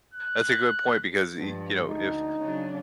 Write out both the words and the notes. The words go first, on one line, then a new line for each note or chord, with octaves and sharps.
that's a good point because, e you know, if
F#6
G2 F3 G#3
D2 D#4
C#3 F#3 D4